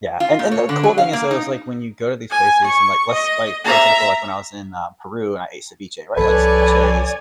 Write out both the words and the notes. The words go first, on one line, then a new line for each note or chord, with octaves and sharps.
Yeah, and and the cool thing is, though, is, like, when you go to these places and like, let's like, for example, like, when I was in, uh, Peru and I ate ceviche, right? Like ceviche is
F4
A#2
C#5
D3
F#3
F5
A#3
D#4
G#5
C#6
D#5
E5 A#5
C2 F3 A4 B4 C#5 D5 G#5